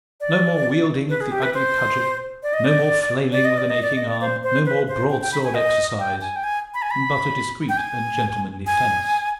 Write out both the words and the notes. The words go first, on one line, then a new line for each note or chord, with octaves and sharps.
No more wielding of the ugly cudgel; no more flailing with an aching arm; no more broadsword exercise, but a discreet and gentlemanly fence.
D5
B4
G#4
G4
B4
C5
D5
D#5
D5
D5
D#5
D5
D#5
D5
D#5
D5
C5
C5
B4
C5
G5
G5
B5
G#5
D#5
G5
G#5
G5
G#5
B5
G#5
B5
G5
G#5
G#5